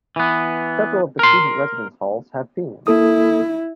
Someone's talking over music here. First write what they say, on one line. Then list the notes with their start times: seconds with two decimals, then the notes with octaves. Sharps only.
Several of the student residence halls have themes.
0.16 E3 B3
1.19 A#4 C6
2.87 A#3 E4 A4 D#6